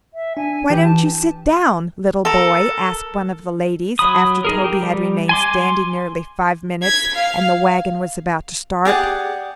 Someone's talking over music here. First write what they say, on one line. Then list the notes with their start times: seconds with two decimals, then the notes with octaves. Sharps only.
"Why don't you sit down, little boy?" asked one of the ladies, after Toby had remained standing nearly five minutes and the wagon was about to start.
0.14 E5
0.37 D4 G#5
0.70 E3 G4
0.84 A5
2.25 A4 A#4
3.99 F#3 B5 D#6
4.45 D#4 G#4 A#4
4.64 G4
4.82 G3
5.29 G#5 C6 D6
6.83 G#6 B6
7.15 F5
8.85 G4 G#4 D5 F#5